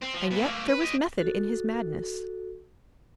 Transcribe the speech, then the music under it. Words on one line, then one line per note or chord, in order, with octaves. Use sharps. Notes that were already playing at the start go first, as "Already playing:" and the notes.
And yet there was method in his madness.
C4
F3
A#2 B3
A3 A#3
B4
G4 D#5
F#4 A4